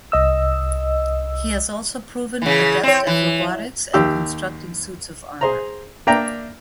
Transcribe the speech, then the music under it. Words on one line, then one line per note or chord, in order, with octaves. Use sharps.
He has also proven adept at robotics and constructing suits of armor.
C2 D#5 E6
C#3 E3
C4 C#5
E3
D#2 G4 E6
G#4 C5 A#5
A#3 D4 E5 G5 A#5